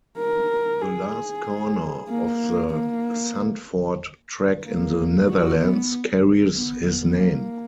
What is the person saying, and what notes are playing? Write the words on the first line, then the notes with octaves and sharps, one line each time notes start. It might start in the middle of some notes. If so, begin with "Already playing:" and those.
The last corner of the Zandvoort track in the Netherlands carries his name.
A#4
G#4
A#3
A#3
A#3
F#4
B3
B3
B3
A#3